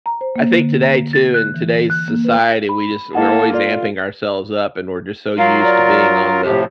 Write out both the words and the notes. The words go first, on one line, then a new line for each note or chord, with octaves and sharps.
I think today, too, in today's society, we just we're always amping ourselves up, and we're just so used to being on the
A#5
C5
A#3
D3
A#5
A6
F#6
E3
F#6
A#3
B4
B5
A#3 E4 A4 D#5 F#5
F4 A4 D5
F#3 F4 A#4 F5
D5
A2 C3 F3 G4